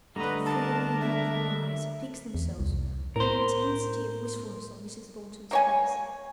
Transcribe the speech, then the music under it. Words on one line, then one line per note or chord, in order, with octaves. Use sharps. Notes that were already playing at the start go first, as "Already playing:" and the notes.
And her filmy wandering eyes fixed themselves with an intensity of wistfulness on Mrs. Thornton's face.
D3 G3 A3 B4 D#5 A#5
D4 A#4 A5
E5
E2
C2
A2 A#4 C5
A#3 C#5 G#5